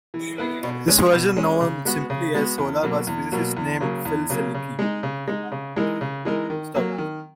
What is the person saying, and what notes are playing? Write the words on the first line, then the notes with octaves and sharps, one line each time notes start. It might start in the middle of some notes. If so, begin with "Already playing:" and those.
This version, known simply as Solar, was a physicist named Phil Seleski.
E3
B3 E4 B4
B2
G#3 C#4
B2
G#3 C#4
C#3
G#3 B3 F#4
C#3
G#3 B3 F#4
E2
B2 F#3 A#3
E2
B2 F#3 A#3
E2
C#3 F#3 A#3
E2
C#3 F#3 A#3
C#3
G#3 D#4
C#3
G#3 D#4
C#3
E3 G#3 D#4 A#4
C#3
E3 G#3 D#4 A#4
D#3
F#3 A#3
D#3